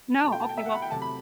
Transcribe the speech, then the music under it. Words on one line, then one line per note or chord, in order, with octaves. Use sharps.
No, okay, well,
B2 A3 A5
G5
A5
G5
E5
F#5
B5
G5
C3 F#3 A3 A5
B5